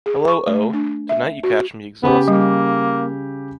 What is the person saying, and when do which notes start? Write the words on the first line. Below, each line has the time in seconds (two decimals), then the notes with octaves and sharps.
Hello, Oh! Tonight you catch me exhausted.
0.06 G#4
0.28 C#6
0.47 A3
0.73 D4
1.09 E5
1.43 F#4
2.03 C#3 B3 G4
2.28 G3 A#3